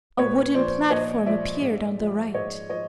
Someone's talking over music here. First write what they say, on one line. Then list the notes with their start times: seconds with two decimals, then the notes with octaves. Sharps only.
A wooden platform appeared on the right.
0.18 A#2 B4 C#5
0.54 F3 C5 D5
0.90 A#2 C#5 D#5
1.26 F3 D5 E5
1.62 G#2
1.99 F3
2.34 G#2 C#5 D#5
2.70 F3 C#5 D#5